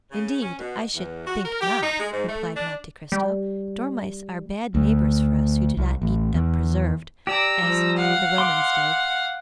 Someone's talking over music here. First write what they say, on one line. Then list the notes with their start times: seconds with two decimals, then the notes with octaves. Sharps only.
"Indeed, I should think not," replied Monte Cristo; "dormice are bad neighbors for us who do not eat them preserved, as the Romans did."
0.12 C#3
0.42 C#4
0.60 B2
0.95 E2
1.27 F#4
1.45 A#4
1.61 G4
1.83 D#4
2.00 G#3
2.12 G#2
2.29 A3
2.57 D4
3.12 G3
4.75 D2
5.77 C2
6.02 A1
6.34 E2
7.27 G4 D5 A#5 E6
7.63 F3 G3
7.97 F5 F#5
8.38 C6 D6